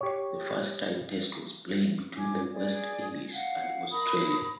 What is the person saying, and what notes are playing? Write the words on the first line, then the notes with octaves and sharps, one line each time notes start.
The first tied Test was played between the West Indies and Australia.
G4 C#5
G#5 D6
G#4 D5
F5 F#5
A#4 B5 D#6